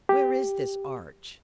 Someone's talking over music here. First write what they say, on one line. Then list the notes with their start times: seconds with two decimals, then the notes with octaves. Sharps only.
"Where is this Arch?"
0.09 G4